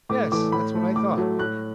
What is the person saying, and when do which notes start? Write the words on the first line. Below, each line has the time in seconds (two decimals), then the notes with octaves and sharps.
Yes: that's what I thought....
0.09 A2 D6
0.32 E3 A3 D6
0.52 A2 B5
0.75 A3
0.96 A2 D6
1.17 F#3 A3
1.39 A2 F#6